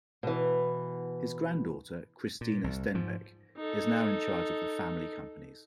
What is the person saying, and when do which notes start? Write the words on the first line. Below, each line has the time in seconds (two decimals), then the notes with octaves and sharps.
His granddaughter, Cristina Stenbeck is now in charge of the family companies.
0.23 B2 E3
2.41 A#2
2.64 C2
2.94 G#2 F3
3.57 D#4 A4